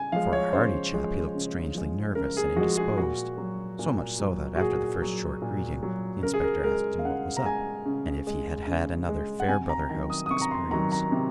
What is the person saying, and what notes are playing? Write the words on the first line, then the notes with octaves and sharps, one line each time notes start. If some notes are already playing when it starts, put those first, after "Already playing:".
For a hardy chap he looked strangely nervous and indisposed, so much so that, after the first short greeting, the inspector asked him what was up, and if he had had another Fairbrother-house experience.
Already playing: C#3 G#5
F3 G#3 F5
C#5
C#3 C5
F3 G#3
C#3
F3 G#3
C#3 A#4
G#4
F3 G#3 F#4
G#4
A#2 F#4
F#3
A#2
F#3
F#4
A#2 G#4
F#3
A#2
F#3
C#3 A#4
G#4
A#4
G#3 A#4
F5
C#3 F#5
A#5
G#3 G#5
C#3
G#3
C#3
G#3
F#5
C3 G#5
A#5
D#3 F#3 A#5
D#6
D#6
C3 C#6
A#5
C6
D#3 F#3 A#5
A#5
C3